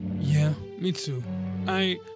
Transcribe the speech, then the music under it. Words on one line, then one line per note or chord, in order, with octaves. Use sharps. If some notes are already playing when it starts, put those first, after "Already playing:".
Yeah, me too. I
Already playing: G2 D3 F#3 A3
B4
G4
G4
G2 D3 F#3 C#5
A4
A4